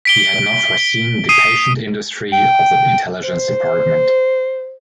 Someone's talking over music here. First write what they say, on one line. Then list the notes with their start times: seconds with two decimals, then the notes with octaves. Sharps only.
He had not foreseen the patient industry of the Intelligence Department.
0.05 B6 D7 G7
1.29 D#6 C7 D#7
2.33 G5
3.24 C5